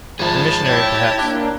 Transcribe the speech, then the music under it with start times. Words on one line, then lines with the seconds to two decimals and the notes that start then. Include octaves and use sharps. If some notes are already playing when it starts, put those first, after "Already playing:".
"A missionary, perhaps."
0.19 G#1 F3 G#4 E5 A5 B5
0.66 E4 G4 C#5
1.19 A#3 D4 A5 D6 F#6